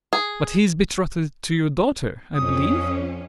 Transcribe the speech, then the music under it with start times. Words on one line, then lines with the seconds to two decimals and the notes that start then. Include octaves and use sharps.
"But he is betrothed to your daughter, I believe?"
0.13 G#4
2.35 F2 C#4 D#6